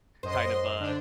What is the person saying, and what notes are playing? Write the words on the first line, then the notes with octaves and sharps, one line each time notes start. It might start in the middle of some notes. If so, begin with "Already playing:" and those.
kind of, uh,
F#2 C5 D#5 C6
D3 D4